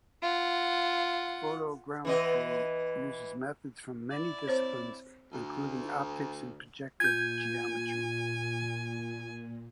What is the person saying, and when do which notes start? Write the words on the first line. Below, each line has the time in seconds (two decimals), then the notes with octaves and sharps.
Photogrammetry uses methods from many disciplines, including optics and projective geometry.
0.22 F4 F#5
2.05 E3 B3 D#5
4.11 E4 D5
4.48 C4 C5 C#5
5.32 D2
7.00 A#2 F4 G#5 G6 G#6